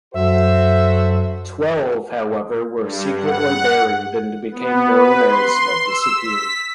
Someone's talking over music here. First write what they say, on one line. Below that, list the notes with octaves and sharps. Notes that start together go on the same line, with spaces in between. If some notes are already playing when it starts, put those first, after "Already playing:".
Twelve, however, were secretly buried and became known as "the Disappeared".
F#2 F#4 A4 C5 E5
G2
F#5
B3
B4
C6
E6
B6